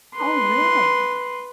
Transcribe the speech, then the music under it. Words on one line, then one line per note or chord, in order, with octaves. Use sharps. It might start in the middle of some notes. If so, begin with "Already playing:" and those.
Oh, really?
B4 C6